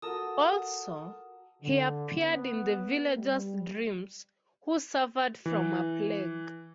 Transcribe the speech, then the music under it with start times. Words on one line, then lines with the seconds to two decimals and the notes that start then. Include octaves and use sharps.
Also, he appeared in the villagers dreams who suffered from a plague.
0.02 F#4 A4 A#4 A5 D#6
1.62 D3
2.19 B3
3.16 G3
5.46 E3